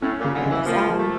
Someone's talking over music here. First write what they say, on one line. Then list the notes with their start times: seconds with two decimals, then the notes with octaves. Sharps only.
Yes. I'm
0.02 A2 C#4
0.19 A#2
0.24 C#3
0.35 D3
0.46 C#3 E3
0.66 F3 A#3
0.89 F3
0.98 A3